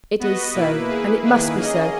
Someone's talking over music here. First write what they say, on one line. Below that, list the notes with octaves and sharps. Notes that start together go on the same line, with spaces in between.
It is so, and it must be so.
B3 F#4 B4 D#5
B2 A#3 E4 B4
A#3 E4 G#4 B4
D#3 A#3 E4 G#4 B4
A#3 C#4 G#4 D#5